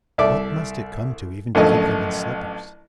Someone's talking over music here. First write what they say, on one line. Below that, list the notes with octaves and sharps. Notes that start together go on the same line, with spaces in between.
What must it come to even to keep them in slippers.
C2 A4 D5 E5 D6
A1 F#2 D3 F3 A3 D#5